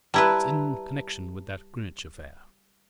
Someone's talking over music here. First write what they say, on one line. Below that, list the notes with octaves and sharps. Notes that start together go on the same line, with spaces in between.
"It's in connection with that Greenwich affair."
G3 E4 B4 A5 A#5 G#6